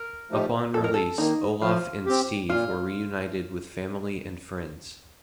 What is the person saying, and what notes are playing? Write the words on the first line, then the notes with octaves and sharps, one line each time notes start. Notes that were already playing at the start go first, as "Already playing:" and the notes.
Upon release, Olaf and Steve were reunited with family and friends.
Already playing: A#4
F3 A3 D#4 G4
F2 A4
A#4
A4
D#3 A#3 D#4
F3 F4
C4 G4
A#2 F4